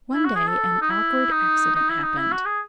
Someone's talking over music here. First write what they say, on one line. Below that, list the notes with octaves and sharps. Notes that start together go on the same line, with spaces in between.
One day an awkward accident happened.
E4
F#4
G#4
A4
D#4
E4
D#4
D#4
E4
D#4
E4
F#4
G#4